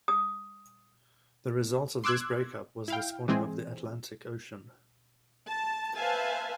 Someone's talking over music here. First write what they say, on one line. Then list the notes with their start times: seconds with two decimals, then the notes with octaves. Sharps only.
The result of this break-up was the spawning of the Atlantic Ocean.
0.08 D#6
2.04 C6 D6 E6 F#6 G#6
2.88 E4 F5 G5
3.28 E3 G#3 C4 G#4
5.48 A5
5.96 B4 C5 E5 F5 G#5 A5